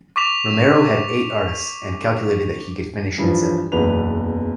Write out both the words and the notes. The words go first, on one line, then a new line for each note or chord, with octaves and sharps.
Romero had eight artists, and calculated that he could finish in seven.
C#6 D6 B6 F7
G2 E3 F3
F#1 B1 E2 B4 F7